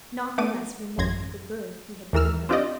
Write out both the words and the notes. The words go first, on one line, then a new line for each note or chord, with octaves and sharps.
Not the less remained the good he had given her.
A3 B3 D6 D#7
A1 F#2 C6 G#6 A#6
D#2 E3 A#4 E6 F6
C4 D4 F4 G4 D5 D#5